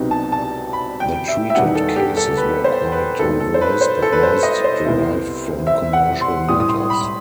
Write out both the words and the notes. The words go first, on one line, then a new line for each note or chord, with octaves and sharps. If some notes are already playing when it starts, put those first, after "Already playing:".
The treated cases were quite diverse, but most derived from commercial matters.
Already playing: C2 C3 F#3 B3 D#4
A5
A5
B5
G5
E5
E5
E2 D#3 G3 B3 D#4 F#5
A4
G4
A4
B4
C5
B4
G2 F#3 B3 D#4 A4
A4
C5
B4
C5
A4
B4
C5
D#5
C5
C2 C3 E3 B3 E4
E5
F#5
C6
A2 E3 G3 D#6
D#6
C6
B5